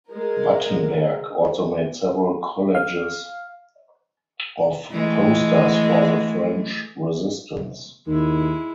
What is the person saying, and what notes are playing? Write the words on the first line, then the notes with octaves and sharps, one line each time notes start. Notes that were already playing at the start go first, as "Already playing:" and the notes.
Wattenberg also made several collages of posters for the French Resistance.
G#3 A#4
F5
E3 G#3 A3
D#2 D#3 G#3 E4